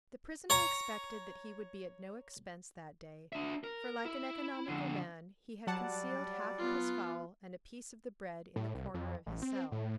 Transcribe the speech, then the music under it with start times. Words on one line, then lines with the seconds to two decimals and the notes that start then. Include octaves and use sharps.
The prisoner expected that he would be at no expense that day, for like an economical man he had concealed half of his fowl and a piece of the bread in the corner of his cell.
0.50 C#5 A#5
3.33 D4 E5
3.64 A#4
4.05 E4
4.68 F2 D3
5.67 F#3 G3 D5 F#5 A5
6.59 B3 F4
8.56 A2
8.74 C2
8.94 F2
9.26 A1
9.42 C4
9.72 A2